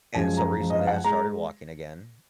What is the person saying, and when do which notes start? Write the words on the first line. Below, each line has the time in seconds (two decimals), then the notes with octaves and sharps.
And so recently I started walking again.
0.15 F#2 F3 G#3 G#5
0.37 A#5
0.60 F#2 F3 G#3
0.70 D#5
0.79 F5
0.87 F#5
0.96 G#5
1.04 G#3 A#5